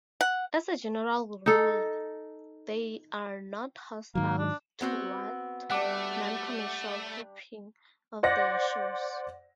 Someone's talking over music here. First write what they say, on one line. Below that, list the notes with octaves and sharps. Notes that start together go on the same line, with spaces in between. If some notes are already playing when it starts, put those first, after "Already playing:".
As a general rule, they are not hostile toward non-commercial taping of their shows.
F#5
D#4 A4
G#2 D#3 F#3 A#3
D4
B3 C4 F#4
G3 A3 D4 F#5 D6
C5 D5 F#5 A#6